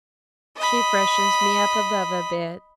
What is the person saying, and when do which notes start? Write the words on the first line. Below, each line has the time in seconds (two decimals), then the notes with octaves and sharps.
She freshens me up above a bit.
0.57 D#5 B5